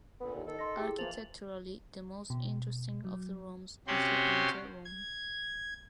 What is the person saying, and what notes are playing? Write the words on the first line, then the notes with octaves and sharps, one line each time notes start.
Architecturally, the most interesting of the rooms is the ante room.
A#2 D3 B3
D#2
D#3 A4
D#4 C6 A#6
E4 G4 G#4
E3 F3 A#3 A6 F7 F#7
B2
F#3
C3 C#4 F#4 G4 F#5 C6
G#6